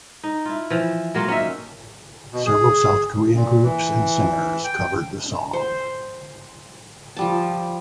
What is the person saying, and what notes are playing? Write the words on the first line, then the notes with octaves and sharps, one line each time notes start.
Several South Korean groups and singers covered the song.
D#4
E4 F4
E3 F3
F#3 A#3 F4 F#4
C#4 D#4 E5
B2
G#4
A#2
E3
G5
C5
F3 G3 A5